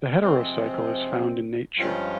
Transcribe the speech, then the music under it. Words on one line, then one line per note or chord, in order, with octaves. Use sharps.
The heterocycle is found in nature.
C3 F3 G#3 C4
G2 F3 G#3 C#4 F4